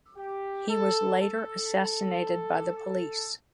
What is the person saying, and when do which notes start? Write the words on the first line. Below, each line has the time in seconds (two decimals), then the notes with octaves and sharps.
He was later assassinated by the police.
0.17 G4
0.69 A4
1.20 A4
2.75 A4